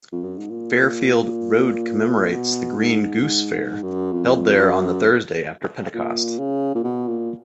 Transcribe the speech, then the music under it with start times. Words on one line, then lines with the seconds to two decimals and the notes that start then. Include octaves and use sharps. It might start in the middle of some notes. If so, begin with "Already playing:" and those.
Fairfield Road commemorates the Green Goose fair, held there on the Thursday after Pentecost.
0.12 F2
0.24 F#2
0.38 G#2
0.50 A#2
2.32 B2
2.76 G#2
3.22 G#2
3.52 G#2
3.83 F#2
4.12 F2
4.58 F#2
5.94 A#2
6.39 C#3
6.75 A#2
6.84 B2
7.08 A#2